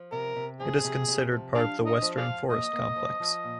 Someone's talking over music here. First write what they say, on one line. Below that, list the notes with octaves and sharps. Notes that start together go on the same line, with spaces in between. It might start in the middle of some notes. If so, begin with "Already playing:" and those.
It is considered part of the Western Forest Complex.
Already playing: F3
C3 A#4
C3
F3 G#4
C3
C3
F3
D4 G#4 D5 F5
D4
A#4 D#5
F3
G#4 D5 F5
F3
A#3 D#5
A#3
F3
F3
A#2